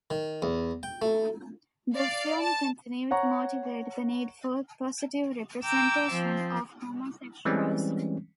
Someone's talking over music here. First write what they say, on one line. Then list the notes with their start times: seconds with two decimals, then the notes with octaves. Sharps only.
The film continued to motivate the need for positive representation of homosexuals.
0.10 D#3
0.42 E2
0.83 G5
1.02 A3
1.96 D5 F5
2.41 A5
3.11 C#5 F#5 A#5 C#6
5.64 G5 A#5 D6 E6
6.10 F3 C4
7.45 E3 G3 G#3 C4 C#4